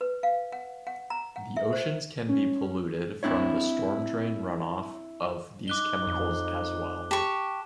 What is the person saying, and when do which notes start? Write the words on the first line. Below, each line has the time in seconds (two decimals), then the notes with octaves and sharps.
The oceans can be polluted from the stormdrain runoff of these chemicals as well.
0.01 B4
0.23 F5
0.52 F#5
0.87 F#5
1.10 A#5
1.36 F#5
1.57 E5
1.73 C5
2.29 C#4
3.23 C4 D4 E4 C#5
5.68 D#4 D6 F#6 G7
6.07 F2
7.11 G4 A5 C#6